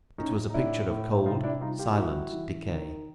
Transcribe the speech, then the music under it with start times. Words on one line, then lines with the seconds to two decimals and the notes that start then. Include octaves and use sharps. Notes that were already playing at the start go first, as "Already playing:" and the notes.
It was a picture of cold, silent decay.
0.18 A2 C#4 D#4
0.49 D#4
0.54 A2 D4 E4
0.90 A2
1.26 C3 D#4 F4
1.43 D4 E4
1.61 G3 D#4 F4
1.79 F4 G4
1.93 G4
1.97 G3 E4 F#4
2.33 E3
2.69 D#3